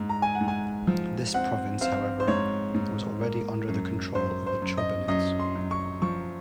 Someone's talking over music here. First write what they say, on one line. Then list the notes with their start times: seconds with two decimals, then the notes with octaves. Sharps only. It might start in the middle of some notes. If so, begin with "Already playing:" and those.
This province, however, was already under the control of the Chobanids.
Already playing: G#2
0.09 A#5
0.22 G#5
0.35 F#5
0.41 G#2
0.48 G#5
0.87 F3
1.34 C4 F#5
1.81 C4 F5
2.20 C5
2.28 G#2 C#5
2.74 G#2
3.21 A#3
3.68 F#2
4.15 F#2 C5
4.47 C5
4.62 F#2
4.77 D#5
5.08 F#2 D#5
5.40 C6
5.55 F#2
5.71 C#6
6.02 F3 C#6